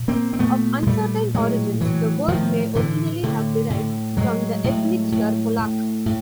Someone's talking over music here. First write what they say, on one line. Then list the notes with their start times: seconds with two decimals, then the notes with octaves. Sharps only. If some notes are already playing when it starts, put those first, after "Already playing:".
Of uncertain origins, the word may originally have derived from the ethnic slur "polack".
Already playing: A#2
0.08 A#3 C4
0.33 C4
0.39 A#2 A3 B3
0.83 G#3
0.86 A#2 G3 A3
1.34 A2 F#3 G#3
1.81 A2 E3 F#3
2.28 A2 D#3 F3
2.75 A2 D3 E3
3.23 A2 D3
3.70 A2
4.17 A2 F#3 G#3
4.64 A2
5.12 A2
5.58 A2
6.06 A2